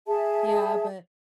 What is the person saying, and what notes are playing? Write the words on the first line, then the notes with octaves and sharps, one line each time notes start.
Yeah, but
G#4 E5 A5